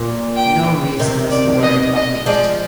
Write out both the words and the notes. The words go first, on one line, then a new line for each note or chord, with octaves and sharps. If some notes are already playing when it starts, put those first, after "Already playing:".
No reasons were published.
Already playing: A#2
G5
C3 D#3
D5
D#5
D#5
F3 G#3 D5